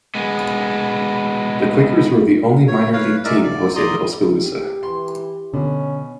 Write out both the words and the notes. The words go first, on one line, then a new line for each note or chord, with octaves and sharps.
The Quakers were the only minor league team hosted in Oskaloosa.
G#3 B3
C#5
B4 C#5 F5
G#3 A#4 D5 E5
D5
D5 A#5 C6 D#6
G4
E3 C6
B2 D3 C#4